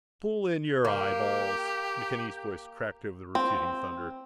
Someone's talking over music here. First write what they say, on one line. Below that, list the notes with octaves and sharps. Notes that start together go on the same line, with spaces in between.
"Pull in your eyeballs!" McKenny's voice crackled over the receding thunder.
A#3 G4
C4